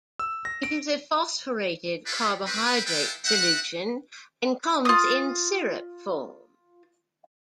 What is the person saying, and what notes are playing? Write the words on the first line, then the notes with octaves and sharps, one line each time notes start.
It is a phosphorated carbohydrate solution, and comes in syrup form.
E6
A#6
D7
D4 E4 F4 G4 A4 B4
C4 B4
G#3 E4 F4 A4 B4 G5
C4 E5 F#5
F4 D#6